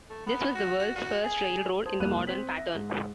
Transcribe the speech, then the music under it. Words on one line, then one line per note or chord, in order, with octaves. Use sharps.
This was the world's first railroad in the modern pattern.
A3
B3
F#4
F#4
F#4
G#4
C5 A5 D#6 G#6
F1 C2 G2 A#3 F#6 D#7
C4 B6 F#7
E5 A#6
G#2